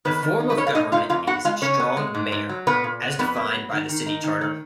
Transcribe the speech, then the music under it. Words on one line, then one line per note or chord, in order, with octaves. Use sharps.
The form of government is strong-mayor, as defined by the City Charter.
D#3 B3 B4
D#3
D#4
B4
B2 C#4 C#5
F5
B2 D#4 D#5
D#4 F4 F5
F2 F4 F5
B3 F#4 F#5
G#3 F4 F5
C#3 C#4 C#5
B3
G#3
G#2
G#2
F#3
A#2 B3 B4
A#2
B3
F2 B3 B4
A#3
F#3
D#3
D#3
D#4
D#3
D#3